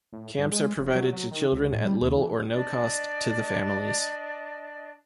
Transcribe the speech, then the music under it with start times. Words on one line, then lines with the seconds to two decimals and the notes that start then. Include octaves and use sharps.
Camps are provided to children at little or no cost to the families.
0.13 A2
0.38 G2
0.52 G#3
0.79 F1
0.95 F#3
1.12 F#3
1.31 D#3
1.52 C#2
1.73 A2
1.85 G3
2.01 D#2
2.17 E3
2.54 D4 D5 D#5 A5